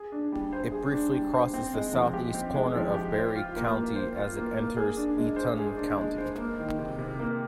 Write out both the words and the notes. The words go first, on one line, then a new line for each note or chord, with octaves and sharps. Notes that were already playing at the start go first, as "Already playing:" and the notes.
It briefly crosses the southeast corner of Barry County as it enters Eaton County.
Already playing: G#4
D4
G3
C5
G#4
D4
G3
C5
C4
G#3
F3
G4
C4
G#3
F3
G4
C5
F4
A#3
A#3
C5
F4
A#3
A#3
G#4
D4
G#3
C5
G#4
D4
G#3
C5
A#3
D#3
C3
C3
A#3